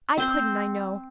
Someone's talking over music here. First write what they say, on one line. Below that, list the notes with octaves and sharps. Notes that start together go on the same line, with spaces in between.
I couldn't, I know.
C4 C5 C6